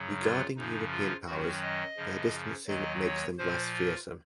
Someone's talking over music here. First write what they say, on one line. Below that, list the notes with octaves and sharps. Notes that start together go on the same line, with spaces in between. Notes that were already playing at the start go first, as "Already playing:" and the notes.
Regarding European powers, their distancing makes them less fearsome.
Already playing: F#2 C#3 F#3
F4
F#2 C#3 F3 D#4
F4
F#2 D#3 F#3 F#4
D#5
F#2 C#3 F3
D#2 D#3 F#3 D#5
C#5
A#2 F3 C5
F4